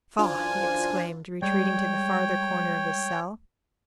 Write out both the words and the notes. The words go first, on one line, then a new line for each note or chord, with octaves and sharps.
"Faugh!" he exclaimed, retreating to the farther corner of his cell.
F#2 E3 D4 F4 C5 G#5
G3 G#3 C#5 D5 G5